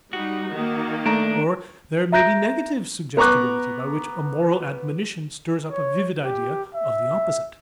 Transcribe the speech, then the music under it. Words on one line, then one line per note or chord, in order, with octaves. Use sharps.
Or there may be negative suggestibility, by which a moral admonition stirs up a vivid idea of the opposite.
G3 D#4 F#4
D#3 A#3
A3 D4 A#5
E5 A#5 F#6 G6 A#6 D7
B3 A#5 C#6 D6 F#6
C#5
G4
E5